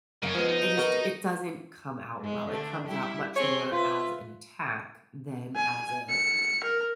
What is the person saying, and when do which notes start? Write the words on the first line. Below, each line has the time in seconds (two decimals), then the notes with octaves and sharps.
I just it doesn't come out well, it comes out much more as an attack than as a,
0.23 F#2 C#3 A#3 C#4
0.35 F3 G#3 B3
0.49 D#4
0.77 B3 F#4 A#4
2.20 G#2 G#3
2.49 D3 A3 D4
2.88 G3 E4 G4
3.36 C4 G#4 C#5
3.72 F4 B4 E5
5.56 G#5
6.09 C#7
6.64 A#4